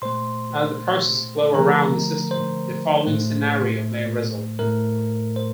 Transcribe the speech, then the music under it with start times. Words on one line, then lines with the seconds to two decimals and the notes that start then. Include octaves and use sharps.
As the processes flow around the system, the following scenario may result.
0.02 A#2 A3 C5 C6
1.54 D3 F3 A3 A#4 A#5
2.31 C5
3.06 A2 A3
4.59 A2 A3 A#4
5.36 C5